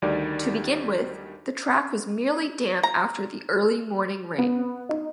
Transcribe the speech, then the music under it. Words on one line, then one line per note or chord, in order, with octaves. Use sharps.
To begin with the track was merely damp after the early morning rain.
D2 D#3 G3 D5
A#5
B3
D#4